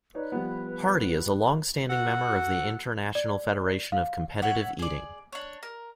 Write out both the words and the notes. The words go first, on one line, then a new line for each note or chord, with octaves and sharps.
Hardy is a long-standing member of the International Federation of Competitive Eating.
D#4 B4 C#5 D5
F3 G3 B3
F#4 A4 F#5
D5
F5
C#5 E5 F#5
G#4 D5
D4 C#5
A#4